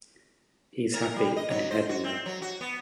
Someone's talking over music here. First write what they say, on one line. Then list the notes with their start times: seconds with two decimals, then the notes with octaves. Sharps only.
He is happy, and in heaven now.
0.94 A#4
1.16 G3
1.36 D#5
1.50 F#3
1.71 C5
1.89 F#4
2.04 C4
2.26 F#3
2.42 F#4
2.61 B3